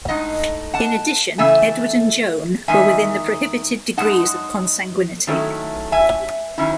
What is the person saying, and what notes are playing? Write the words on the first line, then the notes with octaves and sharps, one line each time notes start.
In addition, Edward and Joan were within the prohibited degrees of consanguinity.
A2 G#3 D#4 D#5 F#5
F#5 A5
C#3 E3 A3 E5 G#5
E2 D#3 G#3 D#4 E5 G#5
F#2 C#3 G#3 D#4 F#5 A5
D#3 F#3 A3 C#4 E4
E5 G#5
D#3 F#3 C#4 E4